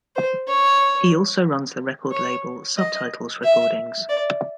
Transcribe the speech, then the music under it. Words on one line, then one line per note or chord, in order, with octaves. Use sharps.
He also runs the record label Subtitles Recordings.
C5
C#5
C#5
D#5
E5
D5